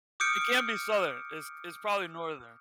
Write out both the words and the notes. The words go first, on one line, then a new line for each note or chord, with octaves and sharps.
It can't be Southern; it's it's probably Northern.
D6 D#6 F6 G6 C#7 D7